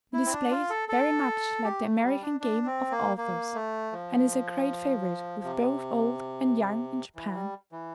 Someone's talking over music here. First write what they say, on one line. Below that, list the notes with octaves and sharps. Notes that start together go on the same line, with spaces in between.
It is played very much like the American game of "Authors," and is a great favourite with both old and young in Japan.
E4
C4
D4
F4
A4
A4
G4
A3
G3
D4
D4
C4
A#3
A#3
A3
F3
C3
E3
G3
E3